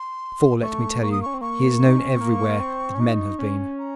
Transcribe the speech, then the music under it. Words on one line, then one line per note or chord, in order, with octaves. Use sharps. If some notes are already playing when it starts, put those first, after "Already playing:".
For, let me tell you, he is known everywhere that men have been.
Already playing: C6
A3 C#6
A#3 C#6
D#6
C#4 C#6
C4
A#3 C#6
D#4
C#4
C4
A#3
A#3
C4
C#4
D#4
C#4
A#5